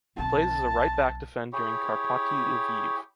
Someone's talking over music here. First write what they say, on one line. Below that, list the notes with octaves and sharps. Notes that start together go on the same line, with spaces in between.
He plays as a right back defender in Karpaty Lviv.
B1 C4 A5
E4 G4 G#4 C#5